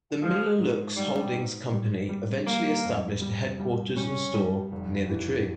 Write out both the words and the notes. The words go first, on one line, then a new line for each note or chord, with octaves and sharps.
The Miller-Lux holdings company eventually established a headquarters and store near the tree.
F3 G#3
G#2
G#2 G3
G#2
G3
G3
G3 A#3
F2
G3
G3
G3 C#4
G3
F1
E3